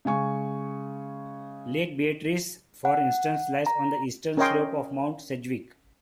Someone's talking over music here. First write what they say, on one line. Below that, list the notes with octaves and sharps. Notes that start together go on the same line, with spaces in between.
Lake Beatrice for instance lies on the eastern slope of Mount Sedgwick.
C#3 G#3 G#5 C#6
F#5
A#5
C#4 A#4 C#5 D#5 G5 C6